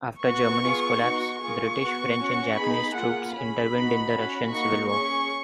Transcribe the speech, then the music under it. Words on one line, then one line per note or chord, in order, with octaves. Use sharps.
After Germany's collapse, British, French and Japanese troops intervened in the Russian Civil War.
B3 F#4 C#6
B3 F4 G#4
B3 D#4 F#4
A#3 F4 G#4 C#6
B3 F#4
C#4 F#4
B3 D#4 G#4 B5
A#3 F4 G#4 F#5
C#4 G#4 B5
B3 D#4 F#4
C#4 F#4
A#3 D#4 F#4 C#6
C#4 G#4 C#6